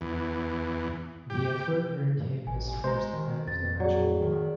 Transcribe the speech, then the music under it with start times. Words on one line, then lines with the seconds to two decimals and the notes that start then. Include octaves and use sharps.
The effort earned him his first Man of the Match award.
0.01 E2
1.30 G4
2.47 A1 G#5
2.84 G#3 C5 A#5
3.14 D#3
3.48 F2 A6
3.80 F#3 G#4 D5
4.21 D#3